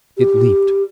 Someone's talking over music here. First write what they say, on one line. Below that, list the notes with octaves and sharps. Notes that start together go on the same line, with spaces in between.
It leaped.
G4